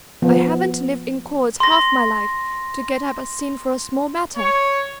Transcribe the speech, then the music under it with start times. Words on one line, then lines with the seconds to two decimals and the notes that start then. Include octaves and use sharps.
I haven't lived in courts half my life to get up a scene for a small matter!
0.22 F3 B3
1.60 C6 A#6
4.37 C#5